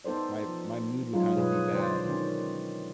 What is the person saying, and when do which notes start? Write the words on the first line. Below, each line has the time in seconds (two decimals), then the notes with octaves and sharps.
my my mood would kind of be bad,
0.05 B3 D#4 A4 C5 D5
0.47 F3
1.13 F#3 G#3 C#4 D#4 F4 G#4
1.35 B2 D#4 G#4 B4
1.73 D3 C5 D5
2.05 D#3 C#4